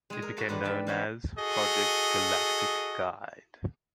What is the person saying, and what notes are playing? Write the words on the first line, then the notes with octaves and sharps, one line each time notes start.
It became known as Project Galactic Guide.
G#3 G#4
A#4
A2 E4 F#4 A4 A5
E2 D#3 D4 F4 B4 A#5
G3 E5 A5
E3 G3 A#3 C#4 A#4 B4
F#4 G#4 A4 D#5